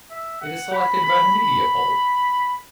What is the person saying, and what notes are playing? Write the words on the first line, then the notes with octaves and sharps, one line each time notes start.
It is selected by the media poll.
E5
F#5
B5
B5
B5